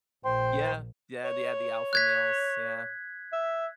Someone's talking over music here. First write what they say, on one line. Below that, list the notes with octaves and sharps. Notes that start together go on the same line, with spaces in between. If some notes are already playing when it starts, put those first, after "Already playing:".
Yeah. Yeah, they have the alpha males. Yeah.
A#1 C5 G5 C6
C#5
F#6 G#6 B6
E5